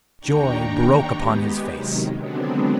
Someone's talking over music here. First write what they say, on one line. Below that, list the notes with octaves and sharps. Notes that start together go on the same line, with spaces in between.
Joy broke upon his face.
D#2 D4 G5 A#5 C#6
G#3 B3 G4
C3 D#3 F#3
D3 F#3 G#3 B3 C4 D4